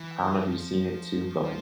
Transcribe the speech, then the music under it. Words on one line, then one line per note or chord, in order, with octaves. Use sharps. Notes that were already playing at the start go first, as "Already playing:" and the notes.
I don't know if you've seen it too, but, like,
Already playing: E3
F3
F3